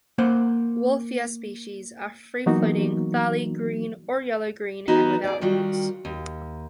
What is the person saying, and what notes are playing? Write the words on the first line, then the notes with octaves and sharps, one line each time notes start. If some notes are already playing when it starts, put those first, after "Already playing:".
"Wolffia" species are free-floating thalli, green or yellow-green, and without roots.
A#3 C5 F#5
E3 F#3 A#3 B3 D#4 F#4
E3 B3 D#4 F#4
G#4 D5
D#3 G3 F4 F#4
D#2